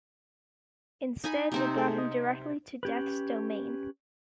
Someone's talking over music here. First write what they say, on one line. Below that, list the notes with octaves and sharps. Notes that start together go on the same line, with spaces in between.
Instead it brought him directly to Death's Domain.
D#4 G#5 B5
C3 C4 D#4
A3 G#4 A5
D#5
C#4 G4 B4